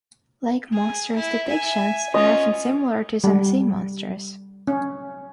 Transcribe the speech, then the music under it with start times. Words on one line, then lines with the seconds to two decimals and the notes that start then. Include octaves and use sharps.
Lake monsters' depictions are often similar to some sea monsters.
0.72 G#4
1.15 E4
1.48 E5 G#5
2.14 C#4 F4 D#5
3.24 G3
4.68 C#4